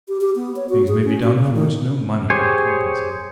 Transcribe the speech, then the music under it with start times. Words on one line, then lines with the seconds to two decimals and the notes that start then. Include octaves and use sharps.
Things may be done for which no money can compensate.
0.08 G4
0.21 G4
0.36 B3
0.56 C#5
0.69 F#4
0.88 G#4
1.04 C#4
1.23 F#4
1.36 C#3
1.54 D#3
2.30 G4 G#4 C5 C#5 G#5